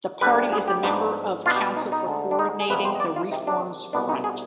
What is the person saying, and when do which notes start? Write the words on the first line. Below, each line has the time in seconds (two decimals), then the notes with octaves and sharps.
The party is a member of Council for coordinating the Reforms Front.
0.21 D2 D3 G3 B4
0.52 G#4
0.68 G4
0.83 G#2 F3 B3 D4
1.46 B2 B3 D4 F4
1.56 G4
1.77 D#4
1.92 D#4
2.07 D2 D3 G#3
2.31 D4
2.39 D#4
2.60 G#4
2.70 F2 C3 G3 B3 B4
2.85 C5
2.95 D#5
3.00 D5
3.16 F4
3.31 C3 D#3 G#3 D#4
3.47 D4
3.93 C2 B2 B3 D4
4.09 D#4
4.24 G#4